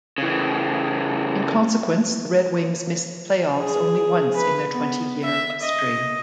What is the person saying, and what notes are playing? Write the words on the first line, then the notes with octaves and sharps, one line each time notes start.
In consequence, the Red Wings missed the playoffs only once in their twenty-year history.
C#3 E3
G#4
B4
B3
E5
D#5